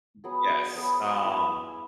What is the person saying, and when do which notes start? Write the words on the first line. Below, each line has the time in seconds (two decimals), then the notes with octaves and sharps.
Y yes, um,
0.24 F#3 B3 G#4
0.75 F#3 B3 G#4
1.24 B3 E4 G#4